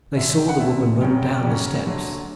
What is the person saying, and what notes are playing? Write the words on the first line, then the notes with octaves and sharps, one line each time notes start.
They saw the woman run down the steps.
E1 D2 D3 E5
G5
F#5
E1 D2 D3 E5
F#2 C#3 F#3 C#4 G5
G5
F#2 C#3 F#3 C#4 D5
D2 D3 F#3 A3